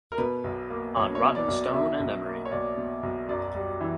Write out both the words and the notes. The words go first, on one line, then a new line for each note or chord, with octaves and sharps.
"On Rotten-Stone and Emery".
A#4
B2 B4
B1
A#3
B1 C#5
C#5
B2
D5
B1
B2 E5
B1
A#3
C#5
B1 D5
B2
B1
F#2 D5
G3
E3